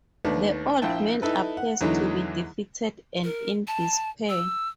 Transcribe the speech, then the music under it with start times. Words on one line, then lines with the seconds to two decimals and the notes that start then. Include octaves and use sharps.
The old man appears to be defeated and in despair.
0.25 D#2 A3 B3 D4
0.82 A#1 E4 G5 A5
1.22 D#4 E4 A4 B4
1.57 F#5
1.81 E2 D3 E3 F#3 G#3 D#4
3.24 A#4
3.67 A5
4.29 E6